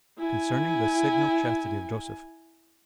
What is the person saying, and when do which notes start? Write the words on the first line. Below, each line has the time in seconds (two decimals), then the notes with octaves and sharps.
Concerning The Signal Chastity Of Joseph.
0.19 E4 G#5